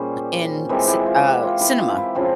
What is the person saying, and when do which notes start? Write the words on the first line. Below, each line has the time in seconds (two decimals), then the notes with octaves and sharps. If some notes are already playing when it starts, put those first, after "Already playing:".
in ci uh, cinema,
Already playing: A#2 G3 C#4 G#4 C5
0.69 E3 G#3 C4 G4 A#4
0.87 E4 G4
1.06 F4
1.24 E4
1.43 F4
1.61 E4 G4
1.79 F4
1.97 E4
2.15 C#3 F3 C4 F4